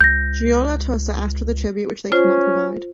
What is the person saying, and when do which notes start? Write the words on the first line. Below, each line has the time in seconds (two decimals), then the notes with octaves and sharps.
Giolla Tosa asked for tribute which they could not provide.
0.01 C#2 G6 A#6
2.12 C#4 F4 C5